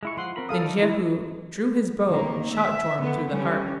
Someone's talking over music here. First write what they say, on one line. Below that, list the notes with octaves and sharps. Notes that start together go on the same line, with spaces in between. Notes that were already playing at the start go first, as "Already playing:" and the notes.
Then Jehu drew his bow and shot Joram through the heart.
G#3 E4 C#6
F3 F#5 C6
C4 A#4 B5
A4 F5 D#6
D#4 D5
E4
D#3 A#3
E5
D3 B3
G3 C#4